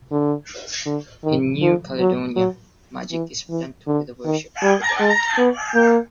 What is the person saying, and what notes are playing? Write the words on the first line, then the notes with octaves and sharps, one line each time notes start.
In New Caledonia, magic is blent with the worship of the dead.
D3
D3
D#3
F3
F#3
F#3
E3
E3
D3
D#3
G3
G#3
B3
A#3